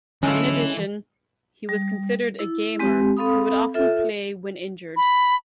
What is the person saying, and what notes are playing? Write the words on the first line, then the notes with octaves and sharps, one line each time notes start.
In addition, he was considered a "gamer" who would often play when injured.
D3 E3 F#3 G#3 A3 C#4 E4 F4
G3
E4
G#3 C4 G4
C4 A4 F5 B5 D#6
F4 A4 E5
B5